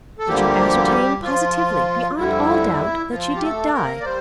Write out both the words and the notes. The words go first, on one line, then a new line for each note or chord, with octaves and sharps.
"Did you ascertain positively, beyond all doubt, that she did die?"
A4
D2 D3 F3 G3 A#3 G4
F3 F4
F2 D3 G3 E4
F3 F4
G4
A3 A4
A#3 A#4
D5
G3 C5